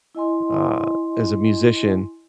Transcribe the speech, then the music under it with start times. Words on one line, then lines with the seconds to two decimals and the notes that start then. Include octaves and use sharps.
uh, as a musician
0.15 E4 D#5 G#5 C6